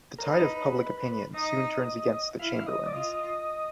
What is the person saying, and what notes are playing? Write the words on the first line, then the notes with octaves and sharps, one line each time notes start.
The tide of public opinion soon turns against the Chamberlains.
A#4
D#4 B4
D#4 D#5
E4 F5
D#5
D5
F4 D#5